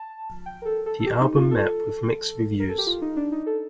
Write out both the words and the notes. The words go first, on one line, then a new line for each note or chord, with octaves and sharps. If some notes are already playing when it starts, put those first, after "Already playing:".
The album met with mixed reviews.
Already playing: A5
G5
A#4
A4
A4
A4
G4
D#4
F4
A4
A#4
A4
G4
F4
D#4
D4
D#4
A4